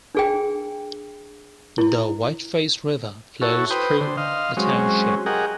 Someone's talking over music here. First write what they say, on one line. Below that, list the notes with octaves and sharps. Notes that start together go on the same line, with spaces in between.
The Whiteface River flows through the township.
D4 G#4 G5
E4
E4 F#4 A4 C#5
B4 C5 G5 D#6
D3 C5
D#5 F5 C6
F#3 G#3 C4 C#4
G4 G#4 A#4 D#5 F#5